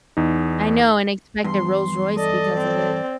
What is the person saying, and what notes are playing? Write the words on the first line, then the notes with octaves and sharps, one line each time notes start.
I know, and I expect a Rolls Royce because of it.
E2 D#4
E2 G2 C6
A4 D5 D#5
C4